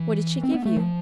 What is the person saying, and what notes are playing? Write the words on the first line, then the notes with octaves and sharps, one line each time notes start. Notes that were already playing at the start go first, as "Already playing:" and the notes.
'What did she give you?'
Already playing: E3
C4
B3
A3
F3